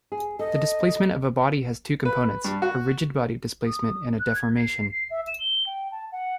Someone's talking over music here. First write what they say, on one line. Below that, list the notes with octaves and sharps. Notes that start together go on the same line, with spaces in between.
The displacement of a body has two components: a rigid-body displacement and a deformation.
G#4
A4 D#5
B4
G2
F#4
D#6
F#6
G#6
C7
C7
E5
E7
G7
G5
A5
F#5